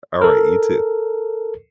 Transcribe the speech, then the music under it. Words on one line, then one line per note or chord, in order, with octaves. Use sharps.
Alright, you too.
A4 A#4